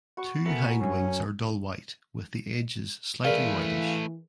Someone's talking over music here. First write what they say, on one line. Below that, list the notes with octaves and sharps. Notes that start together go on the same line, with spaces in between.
Two hind wings are dull white with the edges slightly whitish.
F#4 B5 C#6
A3 B3 A#4 G#5
F#2 C#4
E3 A3 G#4 A#4 B4 D5 F5